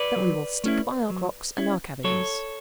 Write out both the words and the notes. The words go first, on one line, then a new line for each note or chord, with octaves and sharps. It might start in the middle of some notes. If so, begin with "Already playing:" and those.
"That we will stick by our clocks and our cabbages."
Already playing: B4 D5
F#3
A3 C#4 E4
F#3
C#4 E4
F#3 A4 C#5